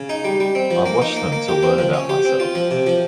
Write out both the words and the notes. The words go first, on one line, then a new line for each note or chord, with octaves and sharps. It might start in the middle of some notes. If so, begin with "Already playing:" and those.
I watch them to learn about myself.
Already playing: C#3
D#4
G3
G3
C4
F3
A#3
D#4
A#3
A#3
G4
C4
F3
C#4
G4
C4
F4
F3
C3
F3